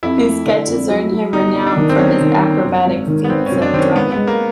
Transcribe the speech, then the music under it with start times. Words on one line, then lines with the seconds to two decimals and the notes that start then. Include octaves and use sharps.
These sketches earned him renown for his acrobatic feats of drumming.
0.03 F2 E4
0.24 A3
0.46 D3
0.68 F2
0.90 F#3
1.12 F#3
1.33 G1 D#4
1.55 G1
1.66 D4
1.76 D#3
1.89 C4
1.98 G1 C#4
2.20 D#3
2.42 G1
2.64 F#2
2.86 G#1
3.07 D#3
3.24 B3
3.29 G#1 C4
3.46 C#4
3.52 F#2
3.62 D4
3.73 D#3 C4
3.79 C#4
3.95 G#2 B3
4.12 G#3 B3
4.27 A#3